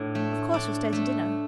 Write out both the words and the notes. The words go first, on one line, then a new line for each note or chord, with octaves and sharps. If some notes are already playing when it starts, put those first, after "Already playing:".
"Of course you'll stay to dinner?"
Already playing: A2 D4
A3
D4
A3